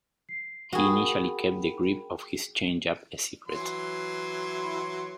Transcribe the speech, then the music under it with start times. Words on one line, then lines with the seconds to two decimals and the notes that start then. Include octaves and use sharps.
He initially kept the grip of his changeup a secret.
0.29 C7
0.73 F#4 G#4 A#4 G5 B5
3.48 E3 F#3 C6